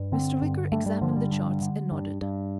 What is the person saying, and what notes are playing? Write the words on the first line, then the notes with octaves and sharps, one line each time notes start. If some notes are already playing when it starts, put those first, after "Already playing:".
Mr. Wicker examined the charts and nodded.
Already playing: G2
D3 C4
G2
G2 A3
G3
D3 F3
G3
G2
D3
G2
G2